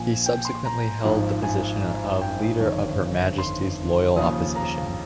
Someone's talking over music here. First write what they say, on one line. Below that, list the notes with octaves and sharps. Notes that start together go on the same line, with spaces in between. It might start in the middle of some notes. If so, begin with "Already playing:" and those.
He subsequently held the position of Leader of Her Majesty's Loyal Opposition.
Already playing: A#1 A#2 F3 G#5
G5
C6
A#5
G#1 G#2 F3
G#5
G5
G1 F2 D#3 C#5
C6
D#2 C#3 F3 D#6
A#5